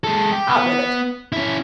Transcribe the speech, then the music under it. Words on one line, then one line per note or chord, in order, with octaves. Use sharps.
Out with it.
G#3 A4
G4
B3
C#4 E4